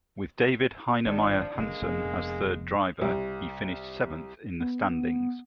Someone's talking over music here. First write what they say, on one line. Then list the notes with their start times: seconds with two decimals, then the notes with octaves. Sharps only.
With David Heinemeier Hansson as third driver, he finished seventh in the standings.
1.06 G#1 D3 D#3 D4 A4
1.20 F3
1.55 F#1 B2 D3 G#3 A#3
1.82 F1 F2 B3 G#4
3.01 C2
4.60 B3